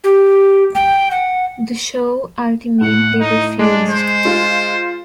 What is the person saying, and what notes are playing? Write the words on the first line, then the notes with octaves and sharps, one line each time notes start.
The show ultimately refused.
G4
G5
F#5
A2 F#5
D#4
G#3 D4
C5
F4